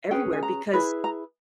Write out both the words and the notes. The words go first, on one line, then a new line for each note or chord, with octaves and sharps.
everywhere? Because
C#4 G#4 B4 G5
G#5
A#5
E4 G#4 B4
A#5